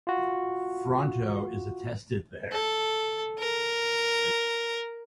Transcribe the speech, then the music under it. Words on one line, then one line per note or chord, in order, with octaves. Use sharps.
Fronto is attested there.
F4 F#4
A4
A#4